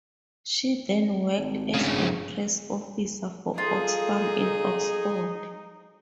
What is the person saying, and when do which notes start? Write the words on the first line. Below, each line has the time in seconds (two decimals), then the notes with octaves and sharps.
She then worked as a press officer for Oxfam in Oxford.
1.37 G#1
1.74 G2 C#3
3.58 D#4 F4 G#4 A4